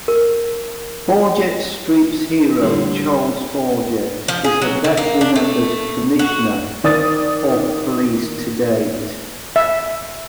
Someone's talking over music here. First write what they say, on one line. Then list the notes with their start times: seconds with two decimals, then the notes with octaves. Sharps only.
Forjett Street's Hero Charles Forjett is the best-remembered commissioner of police to date.
0.08 A#4
2.61 D3 G3 C5
4.28 F3
4.44 G#4
4.62 F#3
4.84 D3
4.97 A#3
5.21 D4
5.36 A3
6.19 F#4
6.84 D#3 D5 D#6 A6
9.56 E5